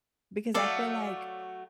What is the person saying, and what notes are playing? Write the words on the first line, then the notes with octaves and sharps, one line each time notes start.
because I feel like
F#3 A3 A4 D5 F5